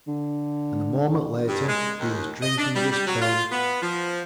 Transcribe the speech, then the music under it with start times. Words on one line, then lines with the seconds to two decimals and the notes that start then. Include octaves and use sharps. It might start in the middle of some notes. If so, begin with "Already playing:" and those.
And a moment later he was drinking his fill.
0.07 D3
1.48 G2
1.68 G#3
2.00 D#2
2.42 D#5
2.58 D4
2.75 G3
2.91 G3
3.07 F#3
3.22 F4
3.51 B3
3.82 F3